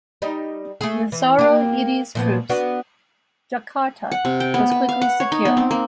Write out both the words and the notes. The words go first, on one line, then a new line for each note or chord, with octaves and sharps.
With Sarwo Edhie's troops, Jakarta was quickly secured.
G3 D#4
A3 G#4
E3
A#3 G4
A#2 F3 B3
B3 D4 F#4
F#5
C3
G5
B3
B4
F5
F#5
C#5
D#4
B3
C4
A#3